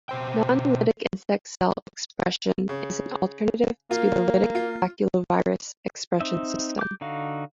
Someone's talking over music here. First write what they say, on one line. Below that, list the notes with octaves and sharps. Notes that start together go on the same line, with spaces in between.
Non-lytic insect cell expression is an alternative to the lytic baculovirus expression system.
B2 C5 G5
C#3
A#3 F4
F4
C4 D#4 E5
D6 G6
D3 D#4 F#4 F5